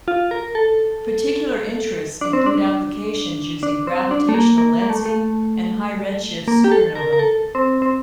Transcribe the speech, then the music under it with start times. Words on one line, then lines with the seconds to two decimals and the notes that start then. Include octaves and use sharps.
Particular interests include applications using gravitational lensing and high-redshift supernovae.
0.08 F4
0.31 A#4
0.55 A4
2.21 D4
2.33 C4
2.46 D4
3.63 D4
3.87 C4
4.11 D4
4.29 A3
4.34 A#3
4.58 A#3
4.82 A#3
4.90 A3
5.06 A3
6.48 A#3
6.64 G4
6.72 A4
6.95 A#4
7.13 A#4
7.19 A4
7.55 C4
7.82 C4